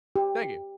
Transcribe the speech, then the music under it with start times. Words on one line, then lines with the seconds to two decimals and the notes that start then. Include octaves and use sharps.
Thank you.
0.16 G4